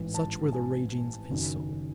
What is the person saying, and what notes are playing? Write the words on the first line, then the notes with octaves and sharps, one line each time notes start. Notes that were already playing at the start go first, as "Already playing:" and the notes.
Such were the ragings of his soul.
Already playing: A1 G#2 E3
A5
G#5
F#1 F#2 D#3